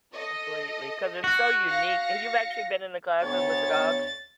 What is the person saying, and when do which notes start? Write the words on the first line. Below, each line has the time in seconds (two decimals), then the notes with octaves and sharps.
Completely, 'cause it's so unique. And you've actually been in the classes with the dogs?
0.13 A4 D#5
1.24 F#4
1.65 F5 A#6 C#7
3.22 D2 B3 C#5 A6